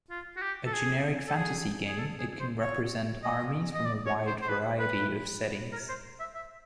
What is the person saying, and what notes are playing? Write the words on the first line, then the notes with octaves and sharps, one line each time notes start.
A generic fantasy game, it can represent armies from a wide variety of settings.
F4
F#4
G4
A4
G#4
A4
G#4
G#4
A4
G#4
C5
C#5
D#5
D#5
D5
C#5
C5
C5
B4
B4
A#4
C5
E5
E5